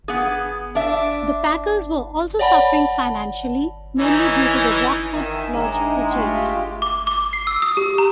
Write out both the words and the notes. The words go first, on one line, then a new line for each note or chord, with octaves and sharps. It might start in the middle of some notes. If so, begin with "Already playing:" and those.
The Packers were also suffering financially, mainly due to the Rockwood Lodge purchase.
B3 G#4
D4 E5
C#5 D5 F#5 A5 B5
E3 C#4 D#4
D#3 E5 G#5
A2 G#3 D4 D#4 E5 A#5
A3 F4 G4
D6
D6
C7
E6
D#6
G4
A#5